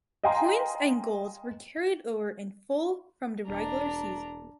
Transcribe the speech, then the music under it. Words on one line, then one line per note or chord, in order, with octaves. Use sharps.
Points and goals were carried over in full from the regular season.
D#5 F5 G5 G#5 A#5 C6
E1 D4 A#5